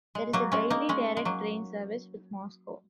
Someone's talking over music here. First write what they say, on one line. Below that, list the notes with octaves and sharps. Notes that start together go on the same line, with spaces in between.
There is a daily direct train service with Moscow.
G#3
F#3 A#3
G#3 C#4
A#3 D#4
G#3 C#4
G#3
F#3 A#3